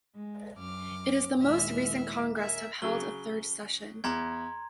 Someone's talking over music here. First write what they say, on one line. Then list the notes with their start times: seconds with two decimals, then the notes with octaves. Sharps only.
It is the most recent Congress to have held a third session.
0.15 G#3
0.58 F#2 D6 F6
1.39 D#2 A#2 G#3 E4 E5 F6
2.36 A#4 E5 G#5
2.82 C#3 F#3 G7
4.04 E2 A#5 C6 G#6